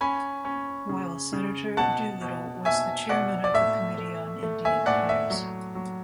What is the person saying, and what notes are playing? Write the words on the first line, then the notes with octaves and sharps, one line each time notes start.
While senator, Doolittle was the Chairman of the Committee on Indian Affairs.
C#4 G#5 B5
C#4
C#3
C#3
B2 F#5 A5
B2
B2 E5 G#5
B2 D5 F#5
D5
A2 E5
A3
A3
E5 G#5
A2 D5 F#5
E5
F#3
F#3